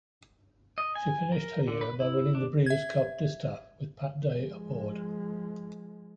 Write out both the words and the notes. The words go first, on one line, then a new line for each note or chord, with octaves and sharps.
She finished her year by winning the Breeders' Cup Distaff with Pat Day aboard.
D#5
G#5
A#4
D3
B4
E4
D4
E5 G#6
F3 G#3